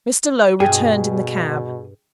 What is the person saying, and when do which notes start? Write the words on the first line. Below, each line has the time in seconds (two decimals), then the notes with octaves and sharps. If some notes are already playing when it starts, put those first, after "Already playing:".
Mr. Lowe returned in the cab.
0.60 G2 B2 G#4 G5